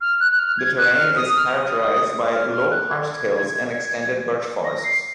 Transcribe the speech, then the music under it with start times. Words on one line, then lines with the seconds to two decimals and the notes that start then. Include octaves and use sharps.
The terrain is characterised by low karst hills and extended birch forests.
0.01 F6
0.20 F#6
0.31 F#6
0.39 F6
0.58 G#6
0.78 F#6
0.97 F6
1.16 D#6
1.36 F6
1.56 D#6
2.32 F6
2.52 F6
2.71 F#6
2.90 G#6
4.65 A#6
4.84 C7